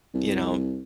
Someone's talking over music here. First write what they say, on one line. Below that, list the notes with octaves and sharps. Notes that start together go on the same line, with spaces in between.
you know,
C2